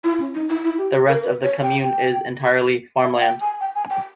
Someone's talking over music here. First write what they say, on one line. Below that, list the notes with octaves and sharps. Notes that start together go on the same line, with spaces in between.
The rest of the commune is entirely farmland.
E4
C#4
D#4
E4
E4
G4
A#4
B4
C#5
G5
G5
E5
G5
G#5
G5
G#5
G5